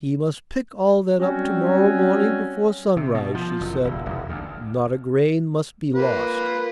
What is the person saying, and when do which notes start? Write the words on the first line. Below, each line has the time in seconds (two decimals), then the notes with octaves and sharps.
'He must pick all that up to-morrow morning before sunrise,' she said; 'not a grain must be lost.'
1.19 F#3 G3 C4 C#4 F#4
2.97 C3
3.14 B2
3.35 F3
3.61 F#1
3.84 D#1
4.06 E1
4.29 D2
5.95 A#3 F4 B4